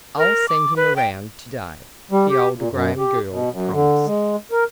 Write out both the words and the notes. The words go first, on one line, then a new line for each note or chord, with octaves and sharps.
"I'll send him around today," the older Graham girl promised.
A#4
D6
B4
G5
G3
G4
A#2
F#2
G4
B2
F#2
D3
G#3
A#4